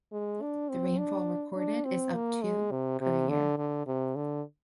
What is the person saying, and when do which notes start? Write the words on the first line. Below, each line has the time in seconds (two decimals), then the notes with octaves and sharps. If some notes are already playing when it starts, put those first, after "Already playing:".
The rainfall recorded is up to per year.
0.12 G#3
0.41 D4
0.69 C4
0.98 D4
1.56 D4
1.85 C4
2.14 A#3
2.42 G#3
2.71 C3
3.01 C3
3.29 D3
3.58 D3
3.87 C3
4.16 D3